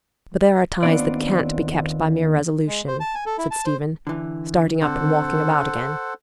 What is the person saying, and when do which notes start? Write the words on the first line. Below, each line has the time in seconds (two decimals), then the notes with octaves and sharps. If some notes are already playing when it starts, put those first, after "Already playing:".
"But there are ties that can't be kept by mere resolution," said Stephen, starting up and walking about again.
0.83 D#2 B3 C4 D4 F4 D5
2.68 G#3
2.88 C5
3.00 A5
3.15 G#5
3.26 A4
3.38 E4
3.51 A5
3.65 C5
4.07 D3 E3
4.82 D3 C4 A4 C5 F#5